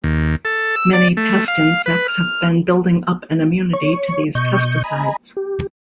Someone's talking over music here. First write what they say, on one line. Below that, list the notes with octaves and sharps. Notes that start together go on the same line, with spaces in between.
Many pest insects have been building up an immunity to these pesticides.
D#2
A4
E6
D5
A3
F5
B4
F6
C#5 C#6
B2 D#5 C#6 G6
D#5 G#5 A#5 B5
G4